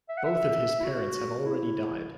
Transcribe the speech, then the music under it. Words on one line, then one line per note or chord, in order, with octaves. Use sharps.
Both of his parents have already died.
E5
F#5
E5
E4
F#4
E4